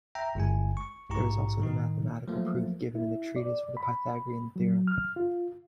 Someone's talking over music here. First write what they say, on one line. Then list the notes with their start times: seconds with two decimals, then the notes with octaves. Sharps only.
There is also the mathematical proof given in the treatise for the Pythagorean theorem.
0.15 E5 G5 A#5
0.35 G1 G#3 E4 G#5
0.77 C#6
1.09 A#1 G#2 E4 G4 A#5 C#6
1.61 A2 D#3 D#4
2.28 F3 F#3 A3 A#3
2.95 E4
3.36 D5
3.77 B5
4.56 F#3
4.87 F6
5.16 F4